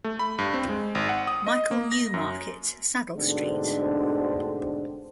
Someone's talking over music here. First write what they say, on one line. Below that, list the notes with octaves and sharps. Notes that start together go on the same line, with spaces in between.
Michael–Neumarkt saddle–St.
A3
B5
G2
C4
G#3
G#1
F#5
D#6
D#5
A#3
A#6
F#2
D2 G#2 B2 D3 C4 D4